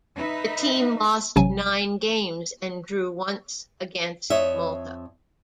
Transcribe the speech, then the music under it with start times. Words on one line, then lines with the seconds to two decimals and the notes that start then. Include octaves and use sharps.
The team lost nine games and drew once against Malta.
0.16 D#4 B4 E5
1.36 A1 C3 F#3 G#5
4.30 F2 C#5 D#5 E5